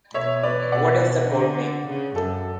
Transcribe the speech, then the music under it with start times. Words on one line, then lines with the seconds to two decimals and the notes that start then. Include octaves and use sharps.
What is the codename?
0.14 B2 C#5 E5
0.43 B4 D5
0.72 B2 D5 F#5
1.30 D3
1.87 C#3
2.16 F#2 A4